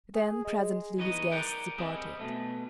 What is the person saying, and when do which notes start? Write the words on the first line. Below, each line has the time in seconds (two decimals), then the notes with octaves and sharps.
Then presently his guests departed.
0.14 G#4
0.44 G#3
0.98 E3 B3 D#4 F#4 D#5
1.32 A#4 D5 F#5 G5
1.78 G3 C4 G#4 D#5
2.19 B2 D#3 A3